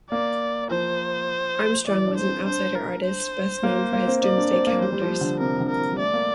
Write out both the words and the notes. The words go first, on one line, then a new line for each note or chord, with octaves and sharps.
Armstrong, was an outsider artist best known for his doomsday calendars.
A#3 D5
F3 C5
E3 D5
D4
C5
C4
D4 C5
A#4
C5
A#3
A#3
C4
C4 D5
D4
C4
A#3
G3 C5
G3
F3
D3
C3 A#4
D3
A#4
F3
G3
A3 D5
A#3